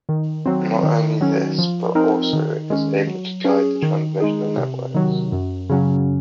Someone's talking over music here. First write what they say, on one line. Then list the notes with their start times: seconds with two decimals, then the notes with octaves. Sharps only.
Not only this but also is able to guide the transmission of networks.
0.09 D#3
0.46 F#3 C4
0.83 D#3
1.21 F#3 C#4
1.58 F3
1.95 C4 D#4 A#4
2.33 D#3
2.70 G#3 C#4
3.07 F#3
3.45 C#4 G#4
3.83 D#3
4.20 G#3 D#4 G#4
4.57 C3
4.95 D#3 F#3
5.32 F#2
5.69 C#3 F#3 C#4